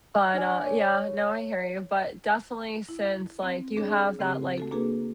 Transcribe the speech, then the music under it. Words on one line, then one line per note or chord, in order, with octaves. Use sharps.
But, uh yeah, no I hear you. But definitely, since, like, you have that, like
F6
D4 D5 G#5
C#5
E4
C4
D4 G#4 C#5
C#3 A3 C4 G4
A3 F#4 A4
A#3 D4 F#4 G#4 A4 B4